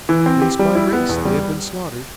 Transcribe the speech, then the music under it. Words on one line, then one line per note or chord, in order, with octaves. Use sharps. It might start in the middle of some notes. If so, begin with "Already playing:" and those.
Race by race they have been slaughtered.
E3
C4
G4
G3
E4
B3
E2
G3